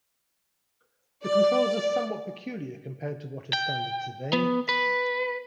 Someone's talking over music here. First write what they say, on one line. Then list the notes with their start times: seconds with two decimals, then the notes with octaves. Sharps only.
The controls are somewhat peculiar compared to what is standard today.
1.24 D5
3.53 G5
4.33 B3
4.69 B4